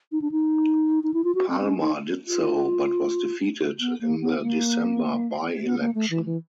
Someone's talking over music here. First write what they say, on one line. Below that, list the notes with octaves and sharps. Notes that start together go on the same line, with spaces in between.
Palmer did so but was defeated in the December by-election.
D#4
D4
D#4
D#4
E4
F4
F#4
C4
C4
C#4
D#4
F4
B3
A#3
B3
A#3
B3
A#3
A3
E3
E3